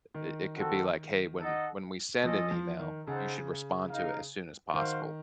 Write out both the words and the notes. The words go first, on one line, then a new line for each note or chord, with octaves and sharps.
it it could be like, "Hey, when when we send an email, you should respond to it as soon as possible."
D#3
C4 F#4 A4
D#4 A4 D#5 F#5
F3 C#4 A4 D#5
F3
D#3
C#3 D#4 A4 C5 F#5
D#4 A#4 F5
D#3 F#4 C5 F5